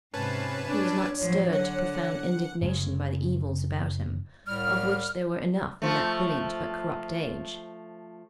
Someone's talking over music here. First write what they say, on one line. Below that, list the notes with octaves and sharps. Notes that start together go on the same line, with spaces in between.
He was not stirred to profound indignation by the evils about him, of which there were enough in that brilliant but corrupt age.
G#2 C3 C#4 B4 A5
D4 C#5
A1 F3 F#3
D3 F#5
F#1 C#3 G#3
C2 A2 G3 F6
F3 A3